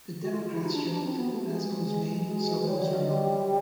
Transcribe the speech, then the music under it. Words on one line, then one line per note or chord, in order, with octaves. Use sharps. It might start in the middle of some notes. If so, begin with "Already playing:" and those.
The Democrats joked, As goes Maine, so goes Vermont.
F#4 A4
F4 A4
F4 G#4
E4 G4
D#4 F#4
D4
D#4 F4
D4
C4 F4
B3 F#4
A3 G4
G#3
F4
G#3 F#4
F#4
B4
G#3 C5
G3 C#5
F#3 D5
F#3 D#5
F#3 D#5
G3